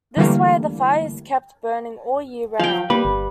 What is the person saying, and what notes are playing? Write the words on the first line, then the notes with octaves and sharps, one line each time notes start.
This way the fire is kept burning all year round.
D3 E3 G3 A3 A#3
F3 F5 G5
G3 A#3 B4
G1